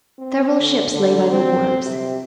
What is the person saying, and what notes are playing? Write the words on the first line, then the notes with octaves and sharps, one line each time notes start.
Several ships lay by the wharves.
C4
D3
D3
C4
C3